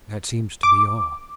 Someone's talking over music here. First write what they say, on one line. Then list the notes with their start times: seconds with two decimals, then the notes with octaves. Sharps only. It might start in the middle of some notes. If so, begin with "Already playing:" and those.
That seems to be all.
0.63 D6